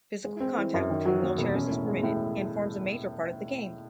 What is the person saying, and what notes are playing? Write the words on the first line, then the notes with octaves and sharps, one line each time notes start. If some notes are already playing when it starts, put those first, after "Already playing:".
Physical contact between wheelchairs is permitted, and forms a major part of the game.
G#3
C4
E3
F#2
D#3
F#3
D#2
E1
C#4
A2
G#3
A2